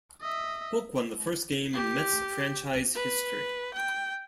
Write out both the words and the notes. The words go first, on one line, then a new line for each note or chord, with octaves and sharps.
Hook won the first game in Mets franchise history.
D#5 E5
G4
B4
G5